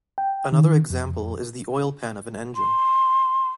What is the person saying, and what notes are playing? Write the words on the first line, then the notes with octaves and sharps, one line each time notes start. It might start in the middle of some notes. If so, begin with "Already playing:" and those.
Another example is the oil pan of an engine.
G5
D#3
F2
C6